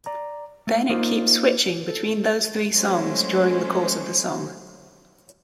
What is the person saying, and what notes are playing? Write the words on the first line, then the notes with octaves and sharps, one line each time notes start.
Then it keeps switching between those three songs during the course of the song.
D5 A#5
A3
A#3 D#4 F4 C5
A4
F#3 G#3 A3 C#4 C5